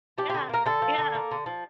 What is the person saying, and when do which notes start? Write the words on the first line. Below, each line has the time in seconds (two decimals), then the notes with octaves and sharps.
Yeah. Yeah.
0.18 F3 G4
0.29 G4
0.34 D3
0.49 A#3 A#4
0.65 D3 A4
0.82 F3
0.98 D3
1.15 A#3
1.31 D3
1.46 F3